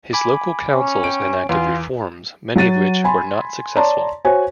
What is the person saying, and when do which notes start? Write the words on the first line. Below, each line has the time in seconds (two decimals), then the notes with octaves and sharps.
His local councils enacted reforms, many of which were not successful.
0.13 G#5 B5 D6
0.74 C#4
1.04 G5 D7
1.49 E2 F4
2.56 F#3 F#5 A6 D#7
3.04 G#5 B5 C6
3.76 C#5 D5 A5 A#5 C6
4.25 F#4 C5 C#5 G#5